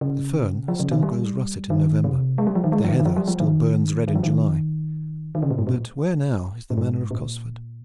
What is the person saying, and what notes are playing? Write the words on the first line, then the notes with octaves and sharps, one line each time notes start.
The fern still glows russet in November, the heather still burns red in July; but where now is the Manor of Cosford?
C#3
F3
C#3
D#3
G3
D#3
C3
G#3
G3
F3
D#3
G#3
F3
D#3
D#3
F3
G3
F3
D#3
D#3
F3
D#3
D#3
C#3
A#2
G#2
A#2
A#2
G#2
A#2